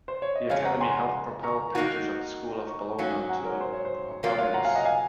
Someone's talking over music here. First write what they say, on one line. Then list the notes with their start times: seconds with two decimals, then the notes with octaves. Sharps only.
The academy helped propel painters of the School of Bologna to prominence.
0.08 C5
0.22 C#5
0.35 D#5
0.50 F2 C#3 G#3 C#5 F5
0.65 F#5 A#5
0.81 G#5 C6
1.43 A#5 C#6
1.75 D#3 A#3 D#4 F#4
2.67 A#5 C#6
2.99 G#2 F#3 A#3 C#4 F#4
3.29 F#5 A#5
3.45 A#4 C#5
3.61 C5
3.73 C#5
3.85 C5
4.23 C3 F#3 A#3 F4 A#4 C#5
4.38 C#5 F5
4.54 F#5 A#5
4.65 F5 G#5
4.75 D#5 F#5
4.85 F5 G#5